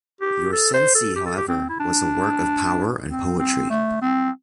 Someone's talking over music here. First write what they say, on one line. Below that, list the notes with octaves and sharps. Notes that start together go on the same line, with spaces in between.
Your "Cenci", however, was a work of power and poetry.
G4
A4
C5
A4
G4
A4
G4
C4
E4
D4
C4
C4
A3
C4